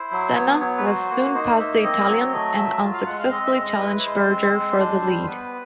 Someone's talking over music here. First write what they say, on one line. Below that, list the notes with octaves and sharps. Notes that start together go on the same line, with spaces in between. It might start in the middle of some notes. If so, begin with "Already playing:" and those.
Senna was soon past the Italian and unsuccessfully challenged Berger for the lead.
Already playing: E4 C5
F#3
B3 C#5
F#3 C#5
B4
F#4 C5
A#3
D#4 C5
A#3 E5
C4 D#5
F#3 C#5
A3 D#5
F#3 E5
F4
F5
G#3 F#5
F5
C4 D#5
E5
G#3 D#5
E4 B4
C#5
G#3 C5
C4
G#3
D4
G3
C5
B3 B4